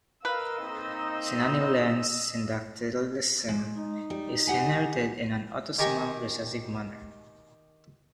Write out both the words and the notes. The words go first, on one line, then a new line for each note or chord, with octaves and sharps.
Cenani-Lenz syndactylism is inherited in an autosomal recessive manner.
A#4 B4 D#5 F5 E6
A#3 C4 D#4
G#3
D#4
G3
G4 F#5 G#5
D#3 G4 G#5 A#5 C#6